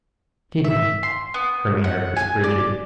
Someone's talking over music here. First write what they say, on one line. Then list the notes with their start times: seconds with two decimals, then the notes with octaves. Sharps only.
"Did he?" Her manner was frigid.
0.64 E5
1.03 C6
1.34 B3
1.84 F#5
2.16 G#5
2.44 D5